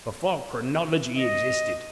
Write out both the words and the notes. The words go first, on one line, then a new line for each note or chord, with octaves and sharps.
Before chronology existed....
D#5